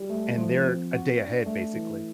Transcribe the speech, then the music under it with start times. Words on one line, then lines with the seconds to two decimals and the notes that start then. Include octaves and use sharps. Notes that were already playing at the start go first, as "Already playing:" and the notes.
and they're a day ahead, basically,
Already playing: G3
0.10 A3
0.38 F3
0.64 C4
0.92 F#4
1.19 D4
1.46 A3
1.73 E3